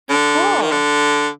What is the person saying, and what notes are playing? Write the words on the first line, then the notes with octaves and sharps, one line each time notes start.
Oh, cool.
D3
D#3
D3